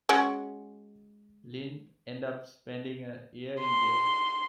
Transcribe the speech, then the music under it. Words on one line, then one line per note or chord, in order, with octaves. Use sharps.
Lind ended up spending a year in jail.
G#3 C#4 F#4
C6